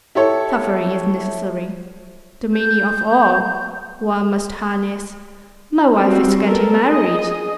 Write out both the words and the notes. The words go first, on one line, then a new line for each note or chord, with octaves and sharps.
Suffering is necessary... the meaning of all... one must harness... my wife is getting married...
E4 G4 A4 C#5
G6
G3 C4 F#4
B3 A4 A#4
G#4 D#5